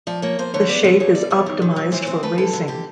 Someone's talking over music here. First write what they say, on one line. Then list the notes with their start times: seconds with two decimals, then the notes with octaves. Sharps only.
The shape is optimized for racing.
0.07 F3 D5
0.22 A#3 C#5
0.39 F3 C5
0.54 D3 C#5
0.69 B3 D5
0.84 D3 C#5
1.00 E2 C#5
1.15 E2 D5
1.30 E2 C#5
1.46 D#3
1.62 D#3
1.76 F#3
1.92 E3 C5
2.02 C#5
2.07 C4 C5
2.23 A3 B4
2.38 D3 A4
2.53 D3
2.68 D3 G4